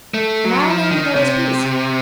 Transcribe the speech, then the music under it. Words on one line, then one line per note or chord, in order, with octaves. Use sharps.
In Ireland there was peace.
A3
F#3
F3
D#3
C3